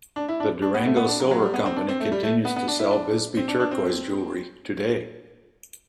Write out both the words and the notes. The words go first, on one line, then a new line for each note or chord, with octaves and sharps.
The Durango Silver Company continues to sell Bisbee turquoise jewelry today.
D4
E4
D4
D4
B3
A3
B3
D4
F#3
F#3
G3
B3
C4
D4
C4
A3
G3
A3
B3
B3
D4
E4
D4
C4
D4
D4
C4